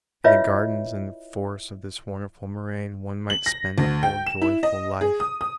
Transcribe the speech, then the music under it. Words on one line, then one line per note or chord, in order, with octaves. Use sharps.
In the gardens and forests of this wonderful moraine one might spend a whole joyful life.
E4 F4 B4 C#5 D#5 E5
F#7
A#6
D2
G5
E7
E4
D#5
G#4
D#6
D#6